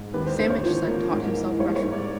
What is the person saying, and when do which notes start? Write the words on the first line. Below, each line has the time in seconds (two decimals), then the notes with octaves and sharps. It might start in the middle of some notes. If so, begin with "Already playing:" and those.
Samachson taught himself Russian.
Already playing: G#2
0.14 D#2 B4
0.26 C5
0.39 D3 C5
0.50 C#5
0.63 F3
0.87 A#3
1.11 G#2
1.36 E3
1.59 G3 C#5
1.76 C#5
1.83 G#2
1.92 D5